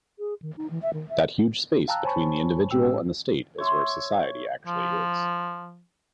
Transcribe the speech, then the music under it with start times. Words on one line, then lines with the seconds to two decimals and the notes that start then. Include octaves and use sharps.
That huge space between the individual and the state is where society actually is.
0.19 G#4
0.42 D#3
0.57 D#4
0.70 E3
0.82 E5
0.94 D#3
1.09 E5
1.88 F5 G5 A5 A#5 E6 F#6
2.03 C5 C#5 G#5 A5 B5 C#6
2.71 A2 G#3 C#4 G4 G5 E6
3.58 C#5 E5 C6
4.67 F3